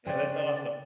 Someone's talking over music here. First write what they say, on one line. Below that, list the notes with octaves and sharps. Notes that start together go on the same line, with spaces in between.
Yeah, that's awesome.
C#3 C5 D5 G5